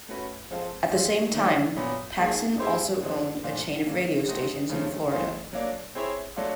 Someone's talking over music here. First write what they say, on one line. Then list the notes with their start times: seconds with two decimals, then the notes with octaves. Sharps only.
At the time, Paxson also owned a chain of radio stations in Florida.
0.09 A3 C#4 F#4 B4
0.51 F3 G#3 C4 F4 A4
0.92 G#3 C4 F4
1.35 D#3 F#3 A3 D4
1.76 A#2 F#3 B3
2.18 A#3 D#4 G#4
2.60 G#3 C4 E4 G4 C5
3.02 D3 F3 G#3 C4
3.44 A#2 F3 A3 D4 F4
3.85 F#3 A#3 C#4
4.27 F#3 A3 C4 D#4 F#4
4.69 C#3 F3 A3 C#4
5.11 E3 A3 C4 F4
5.53 F#3 A#3 D4
5.95 C4 E4 G#4 C#5
6.36 F#3 A3 D4 F4 A4